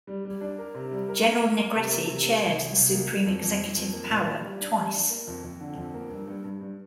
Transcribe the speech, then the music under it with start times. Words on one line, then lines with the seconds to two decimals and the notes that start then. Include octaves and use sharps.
General Negrete chaired the Supreme Executive Power twice.
0.07 G3
0.25 G3
0.41 D4
0.58 A#4
0.74 C3
0.91 G3
1.08 A#4
1.25 A#3
1.42 A#3
1.59 A#4
1.75 C3
1.92 A#3
2.09 C3
2.26 A#3
2.42 C2
2.59 C2
2.76 C2
2.93 A#3
3.10 A#3
3.26 F2
3.43 F2
3.59 F2
3.76 F2
3.93 A#3
4.10 A#1
4.27 A#2
4.43 G3
4.60 D4
4.77 G3
4.94 D4
5.10 A#3
5.27 F2
5.44 F2
5.61 D3
5.77 F2
5.94 A#3
6.11 G2
6.27 G2
6.44 G2
6.61 G2